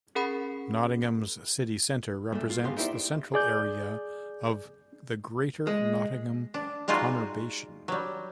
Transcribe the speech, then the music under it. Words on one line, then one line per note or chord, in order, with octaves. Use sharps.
Nottingham's city centre represents the central area of the Greater Nottingham conurbation.
C#4 G#4 A#4 F#5 B5 C7
G2 A#2 A3
F4
G#2 G#3 B3 G4 F5 C6
D#4 E4 G4 B4 C5 D5
G#4 D5 G6
G#3
D4
G3 G#3 D#4 F4 F#4
F#3 G3